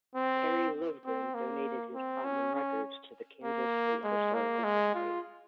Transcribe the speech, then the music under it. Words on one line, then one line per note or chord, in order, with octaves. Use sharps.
Kerry Livgren donated his platinum record to the Kansas State Historical Society.
C4
C4
A#3
C4
C#4
C#4
A#3
G#3
A#3
G#3
F4